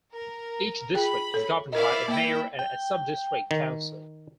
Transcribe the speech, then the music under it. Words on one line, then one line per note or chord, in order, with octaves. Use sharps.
Each district is governed by a Mayor and a Sub-District Council.
A#4
F4 G#4 G5 B5
A4 C#5
E4 A#4 D5 D#5 F5
A#3 E4 G5
G5
D#3